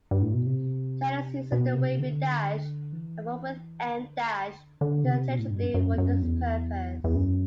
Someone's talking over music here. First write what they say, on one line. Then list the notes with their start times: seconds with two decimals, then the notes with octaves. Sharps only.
Chinese uses the wavy dash and full-width em dash interchangeably for this purpose.
0.11 G2
0.22 A2
0.34 B2
0.46 C3
1.52 B2
1.74 C3
1.99 D3
2.92 E3
3.87 D3
4.81 D3
5.04 C3
5.28 B2
5.39 A2
5.50 G2
5.62 F#2
5.74 F#2
5.93 E2
5.98 F#2
6.22 E2
7.04 E2
7.15 F#2